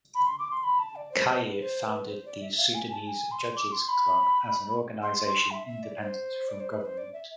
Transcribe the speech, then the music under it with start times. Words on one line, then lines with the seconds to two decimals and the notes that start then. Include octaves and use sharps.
Khair founded the Sudanese Judges Club as an organisation independent from government.
0.14 B5
0.26 C6
0.38 D6
0.51 C6
0.63 B5
0.79 A5
0.96 D5
1.12 C5
1.28 C5
1.44 B4
1.60 C5
1.85 B4
2.09 C5
2.25 D5
2.42 E5
2.58 F5
2.74 G#5
2.91 A5
3.07 G#5
3.31 C6
3.56 D6
3.72 C6
3.88 B5
5.02 C6
5.26 C6
5.51 E5
5.67 E5
5.83 D5
6.00 C5
6.48 D5
6.60 C5
6.73 B4
6.85 C5
6.97 D5
7.13 E5